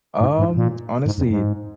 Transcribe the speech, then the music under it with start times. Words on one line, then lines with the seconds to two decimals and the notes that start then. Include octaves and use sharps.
Um, honestly
0.21 G#2
0.39 G#2
0.57 A#2
1.06 G#2
1.18 F2
1.31 G#2